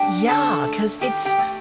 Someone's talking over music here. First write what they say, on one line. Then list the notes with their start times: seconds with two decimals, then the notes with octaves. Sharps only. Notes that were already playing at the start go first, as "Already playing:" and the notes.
Yeah. 'Cause it's
Already playing: D4 G4 G5
0.28 D3 A4 A5
0.66 A3
1.01 D#3 G4 G5
1.25 G4 G5
1.38 A3